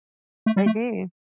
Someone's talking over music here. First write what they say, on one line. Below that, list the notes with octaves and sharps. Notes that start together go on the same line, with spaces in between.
They do.
A3
G3
A3